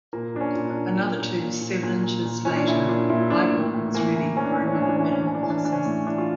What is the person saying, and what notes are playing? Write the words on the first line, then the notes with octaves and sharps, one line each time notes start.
Another two seven-inches later, Piebald was ready for another metamorphosis.
A#2 A#3
A#2 D4
C#4
A#2
D4
A#2
A#2
A#2
A#2
A#2
A#2
A#2
A#2
A#2 C#4
D4
A#2 E4
A#2 D4
A#2 E4
A#2 D4
A2
A2
E3 A#3
E3
E3 C#4
D4
C#4
A2 D4
C#4
D4
A2 C#4
D4
C#4
E3 D4
C#4
E3 D4
C#4
D4
E3 C#4
D4
C#4
E3 D4
C#4
A2
E3 D4
F4